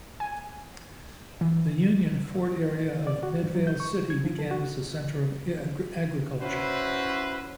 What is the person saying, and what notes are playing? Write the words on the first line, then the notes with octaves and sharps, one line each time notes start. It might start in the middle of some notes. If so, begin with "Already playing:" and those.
The Union Fort area of Midvale City began as a center of agriculture.
G#5
E3
D#3
D5
F#4
G2
F#3
G6
C#6
G3
G#6
F3
A4
F#4
C#4 E4 F#4 B4 C5